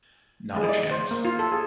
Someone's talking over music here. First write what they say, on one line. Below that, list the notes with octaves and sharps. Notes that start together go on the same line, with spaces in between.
Not a chance!
G#3
D5
C5
A#3
F4
A4
G#4